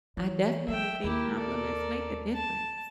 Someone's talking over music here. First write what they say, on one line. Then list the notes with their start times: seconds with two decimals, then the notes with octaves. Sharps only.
I definitely think compliments make the difference.
0.17 E3 C#5
0.68 F#3 A3 E5 G5
1.04 D#2 E4 G4 A#4
1.37 A4 D5
2.35 A5